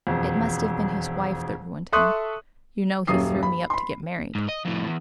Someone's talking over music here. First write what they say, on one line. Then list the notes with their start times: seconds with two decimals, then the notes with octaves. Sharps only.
It must have been his wife that ruined him; you know he threw me up to get married.
0.07 E1 F2
1.92 A4 E5 C6 C#6 D#6 F#6
3.07 D#1 F#2 D#6 C7
3.43 B5
3.70 B5 C6
4.35 G#2
4.49 D#5
4.65 F2 A2
4.87 E2